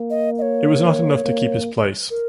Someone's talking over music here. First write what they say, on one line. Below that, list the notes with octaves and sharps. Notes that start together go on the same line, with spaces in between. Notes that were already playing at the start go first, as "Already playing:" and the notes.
It was not enough to keep his place.
Already playing: A#3
D#5
D#5
C#5
A#3
A#4